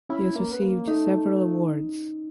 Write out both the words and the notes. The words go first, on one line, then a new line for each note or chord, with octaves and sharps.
He has received several awards.
C#4 E4
A#3
B3
A#3
A3 D#4